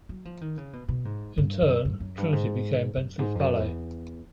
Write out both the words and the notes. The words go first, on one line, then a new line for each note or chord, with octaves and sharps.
In turn, Trinity became Bentley's valet.
F#3
F3
D#3
C#3
B2
B2
G#2
G2
G2
F#2
F#2
F#2
G2
G#2
F#2
G#2
F2
F#2
E2